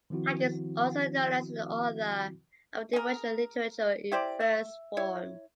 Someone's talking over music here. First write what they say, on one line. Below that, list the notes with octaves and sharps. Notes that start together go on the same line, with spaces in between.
Hagen is also known as an author of devotional literature in verse form.
D#3 F3 C4 E4 F#4
G#4 A#4
E4 G4 C5 D5
E5
E4 C#5